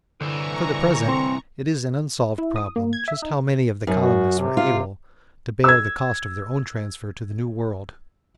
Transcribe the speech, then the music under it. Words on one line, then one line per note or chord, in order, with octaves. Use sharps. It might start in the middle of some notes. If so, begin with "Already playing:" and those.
For the present it is an unsolved problem just how many of the colonists were able to bear the cost of their own transfer to the New World.
C2 D3 E3 A#5 C#6
C4 C6
E4
D#6
A#3
G#6
E5
D#4
F#2
F#4
C3
F4
E6 G#6